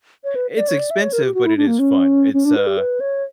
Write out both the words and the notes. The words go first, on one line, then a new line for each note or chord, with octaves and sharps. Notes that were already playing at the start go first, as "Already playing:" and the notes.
It's expensive, but it is fun, it's, uh
C#5
B4
D5
C#5
D5
E5
C#5
A#4
G4
F#4
E4
D4
A#3
C#4
C#4
D4
B4
G4
B4
C#5